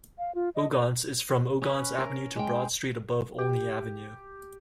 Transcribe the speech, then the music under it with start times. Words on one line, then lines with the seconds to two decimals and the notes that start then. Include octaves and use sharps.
Ogontz is "from Ogontz Avenue to Broad Street above Olney Avenue".
0.18 F5
0.35 F4
0.55 D#5
0.72 D5
1.62 C#4 B4
1.98 A#4
2.36 G#3 G5
3.38 G4